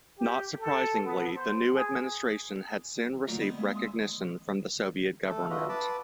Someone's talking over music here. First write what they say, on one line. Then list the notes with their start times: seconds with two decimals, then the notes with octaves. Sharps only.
Not surprisingly, the new "administration" had soon received recognition from the Soviet government.
0.19 G4
0.59 A4
1.04 B3
1.35 C5
1.75 G#4
3.28 D2 A#2 F#3
3.40 B3 C4 D5 D#5
3.57 G#3 A#3 E4
3.75 C6 D#6 E6
5.28 A3 A4
5.50 D4 F4 F#4 B4 D#5 E5
5.69 B4 A5 B5 D6